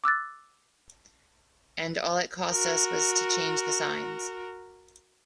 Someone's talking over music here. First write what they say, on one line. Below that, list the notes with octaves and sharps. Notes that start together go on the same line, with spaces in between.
And all it cost us was to change the signs.
D6 E6 F#6 A6
F#4 A#4